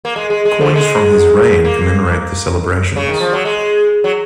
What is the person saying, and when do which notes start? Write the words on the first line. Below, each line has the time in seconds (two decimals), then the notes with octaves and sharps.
Coins from his reign commemorate the celebrations.
0.05 A#3
0.16 G#3
0.30 G#3
0.45 G#3
0.61 F3
0.75 G#3
1.64 A#3
2.96 C#3
3.08 D#3
3.20 F3
3.33 F#3
3.45 G#3
4.04 F#3